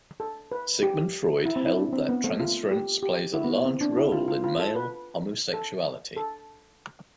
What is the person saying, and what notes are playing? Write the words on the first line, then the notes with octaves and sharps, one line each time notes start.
Sigmund Freud held that transference plays a large role in male homosexuality.
A4
B4
G4
E4
C4
E4
D4
C4
B3
A3
F4
G4
G4
E4
B3
B3
C4
D4
E4
F4
F4
F4
A4
B4
A4
A4